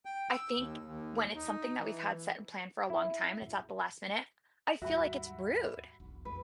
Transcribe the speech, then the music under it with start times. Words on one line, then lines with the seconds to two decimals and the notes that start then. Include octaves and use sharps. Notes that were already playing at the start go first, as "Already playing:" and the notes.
I think when it's something that we've had set and planned for a long time and it's at the last minute, I feel like it's rude.
0.05 G5
0.32 E6
0.57 D#2
0.85 D#2
1.36 D#4
1.79 E3
2.90 E4
4.82 D#2 G#2 G3 F#4 E5 F#5 B5
6.00 E1 B1
6.25 F2 E3 G#3 B4